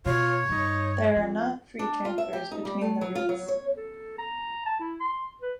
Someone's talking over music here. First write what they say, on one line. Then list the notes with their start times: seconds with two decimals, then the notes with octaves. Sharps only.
There are not free transfers between the routes.
0.06 B2 F4 C#5
0.49 G2 D#4
1.16 F2 G#3
1.79 D4
2.05 F4
2.18 E5
2.33 G4
2.52 D#4
2.65 G3
2.81 A3
3.01 F#3
3.15 F4
3.29 F#3
3.48 C#5
3.76 A4
4.18 A#5
4.66 A5
4.80 E4
5.00 C6
5.41 B4